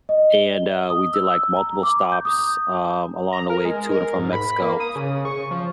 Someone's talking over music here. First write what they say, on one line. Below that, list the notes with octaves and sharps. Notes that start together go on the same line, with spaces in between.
and, uh, we did, like, multiple stops, um, along the way to and from Mexico,
D#5
G7
D#6
E6
A#5
D6
G6
D#6
A#5
A#4
G#3
A#4
G#2
B5
A#3
D#6
C#3
C#6
F3